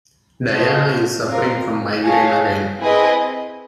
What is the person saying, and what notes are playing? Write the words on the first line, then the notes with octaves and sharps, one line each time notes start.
Diana is suffering from migraine again.
F#4 A4 C5 D#5
C4 F4 A#4
G#4 C#5 F5 A5
C4 E4 G#4 B4 D#5